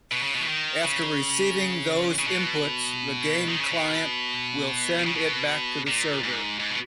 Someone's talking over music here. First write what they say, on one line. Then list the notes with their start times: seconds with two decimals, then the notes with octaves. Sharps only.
After receiving those inputs, the game client will send it back to the server.
0.12 B2
0.23 C#3
0.35 B2
0.41 E3
0.48 D#3
0.84 C#3
2.19 C#3
2.27 B2
3.48 D#3
3.59 C#3
3.72 B2
5.07 C#3
5.15 B2
5.87 A#2
6.24 G#2
6.59 G#2
6.70 B2